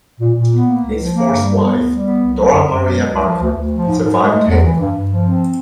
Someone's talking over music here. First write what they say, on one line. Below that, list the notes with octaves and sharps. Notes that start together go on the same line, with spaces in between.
His fourth wife, Dora Maria Barker, survived him.
A#2
A#2
B3
A#3
C#2
F3
A#3
G2
G3
B3
D2
G3
B3
C2
F#3
F#2
F#2
F#3
G#3
C#2
F3
D2
D2
F3
G#2
G#2
G#3
A3
E2
E3
G2
G2
F3
C4